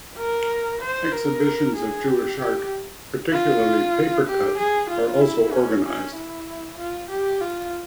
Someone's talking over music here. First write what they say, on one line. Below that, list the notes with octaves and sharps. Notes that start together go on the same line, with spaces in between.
Exhibitions of Jewish art, particularly paper-cut, are also organized.
A#4
C5
A#4
G#4
G4
G4
F4
G4
G#4
F4
E4
C#4
C#4
E4
F4
G4
F4